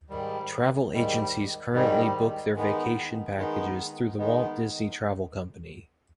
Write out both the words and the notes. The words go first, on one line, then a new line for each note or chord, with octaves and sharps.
Travel agencies currently book their vacation packages through the Walt Disney Travel Company.
G#2 D#3 G3
G#2 D#3 G3
G#2 D#3 G3
D#3 G#3 B3 D#4
D#3 G#3 B3 D#4
D#3 G#3 B3 D#4